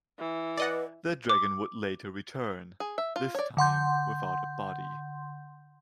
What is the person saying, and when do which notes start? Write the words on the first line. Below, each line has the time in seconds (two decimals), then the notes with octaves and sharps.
The Dragon would later return, this time without a body.
0.19 E3
0.57 B4 D5 D#5 F#5
1.29 D6
2.80 G#4
2.98 E5
3.16 F4
3.35 C#5 D5
3.57 D3 F#5 C6 G6